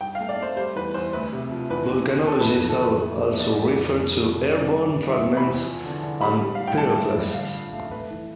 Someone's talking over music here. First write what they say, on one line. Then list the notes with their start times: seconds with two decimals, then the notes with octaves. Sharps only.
Volcanologists also refer to airborne fragments as pyroclasts.
0.01 G2 G5
0.15 F5
0.20 A3
0.29 D5
0.39 A3 C5
0.56 G3 C5
0.75 E2 B4
0.94 E2 C5
1.13 D2 B4
1.32 C3
1.51 F3
1.70 E2 B4
1.89 E2
2.08 B2
2.26 E3 A4
2.41 B4
2.45 F2
2.55 B4
2.64 F2
2.69 A4
2.83 E2 B4
3.01 A3
3.20 A3
3.39 F2 D5
3.58 E3
3.77 F2
3.96 C2
4.15 G3
4.33 C2
4.52 E3 D5
4.72 G2
4.89 G2
5.09 E2 E5
5.28 C3
5.37 B5
5.46 E2
5.65 F3
5.85 D3
6.03 D3
6.21 G3 B5
6.41 G3
6.55 A2 F5
6.68 G5
6.78 G2 A5
6.98 A3
7.16 G2
7.34 D3 F5
7.54 F3
7.73 A3
7.91 A3 B4
8.10 E3